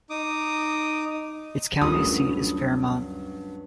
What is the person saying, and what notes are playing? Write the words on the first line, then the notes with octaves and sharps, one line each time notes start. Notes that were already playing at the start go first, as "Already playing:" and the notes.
Its county seat is Fairmont.
D#4 D6 D#6
D2 G2 F#3 C#4 F4 G4 A#4 D#6